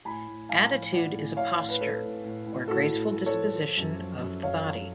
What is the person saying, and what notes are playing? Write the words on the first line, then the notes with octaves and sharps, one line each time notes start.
Attitude is a posture, or graceful disposition of the body.
A2 G#5 B5
A2
A2 F5 G#5
F3
A2 D5 F#5
A2
A2 C#5 F5
A2
B4
A2 A4 C#5
A2
A2
A2
A2 F#4 A4
A2
A2
A4 C#5
F3
F3
F#2
F3
F#2
F#2 C#5 F5
F3